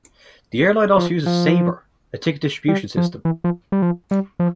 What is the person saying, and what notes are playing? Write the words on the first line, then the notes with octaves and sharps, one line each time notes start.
The airline also uses Sabre, a ticket distribution system.
F3
F3
G3
F3
E3
F3
G3
F3
G3
F3